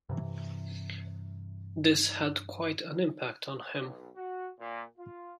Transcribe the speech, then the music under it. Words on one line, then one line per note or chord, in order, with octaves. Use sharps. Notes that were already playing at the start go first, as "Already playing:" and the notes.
This had quite an impact on him.
G2 C3 E3
B1
F#4
A#2
F4